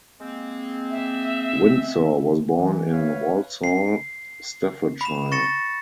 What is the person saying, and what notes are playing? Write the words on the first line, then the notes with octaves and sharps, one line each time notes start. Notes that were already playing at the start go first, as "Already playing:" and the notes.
Windsor was born in Walsall, Staffordshire.
G#3 A#3 C4
E5
E3
B4 C#5 E5 F5
C7
B5 E7
C#6 A6 A#6 C#7 E7